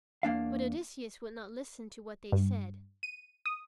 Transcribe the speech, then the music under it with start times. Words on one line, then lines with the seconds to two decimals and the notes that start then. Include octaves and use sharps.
But Odysseus would not listen to what they said.
0.23 E2 A#3 D4 F5
2.32 G2
3.03 D#7
3.46 D#6